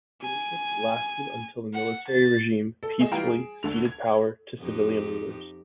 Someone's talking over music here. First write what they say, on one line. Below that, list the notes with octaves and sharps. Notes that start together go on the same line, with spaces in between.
The dictatorship lasted until the military regime peacefully ceded power to civilian rulers.
G#5
F#5
A6
A4
A3 G#4 D#5 E7
E3 G3 F4 G5 A#5 D7
G#4
D2 D3 F7
G#6
F2 D#4 G4